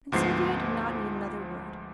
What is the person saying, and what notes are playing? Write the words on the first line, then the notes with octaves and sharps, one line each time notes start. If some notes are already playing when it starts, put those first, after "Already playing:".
And Sylvia did not need another word.
D2 G#2 F3 B3 C7